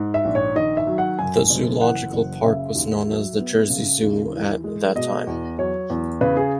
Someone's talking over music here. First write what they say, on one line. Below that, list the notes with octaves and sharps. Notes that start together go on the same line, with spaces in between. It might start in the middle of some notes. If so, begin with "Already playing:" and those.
The zoological park was known as the "Jersey Zoo at" that time.
Already playing: G#2
E5
A#1
C#5
D#3 D#5
E5
F#3
F#5
F#2 G#5
F#1
E3 F#5
F#1
C#3 E5
D#2
F#3
B3
C#3
D#2
E3
G#3
B2 D#5
E2
F#3 C#5
E2
C#3 B4
G#4